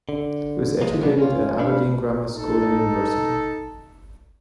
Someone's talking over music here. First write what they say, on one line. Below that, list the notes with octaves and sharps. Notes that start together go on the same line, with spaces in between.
He was educated at Aberdeen grammar school and university.
D3
A#2 F3 G#3 A#3
C3 F#3 A#3 B3 D4
C#4 F4
A3 D4 B4 F5
D#4 A4